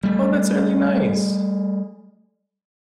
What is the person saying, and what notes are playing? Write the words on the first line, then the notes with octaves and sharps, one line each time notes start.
Oh, that's really nice.
G3 A3